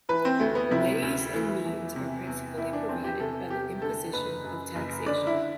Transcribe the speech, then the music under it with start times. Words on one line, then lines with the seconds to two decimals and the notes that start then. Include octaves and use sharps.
Ways and means are principally provided by the imposition of taxation.
0.09 E3 B4
0.25 C4
0.40 D2 A3
0.55 B3
0.71 C3 E4
1.02 D2
1.34 E3
1.65 E2
1.96 C3
2.27 E2
2.57 E3 E4
2.73 D4
2.89 E2 C4
3.04 G4
3.20 C3 A4
3.50 E2 G4
3.82 D3 A4
4.13 F#1 B4
4.44 F#2
4.75 F#1
5.06 D3 D5
5.27 E4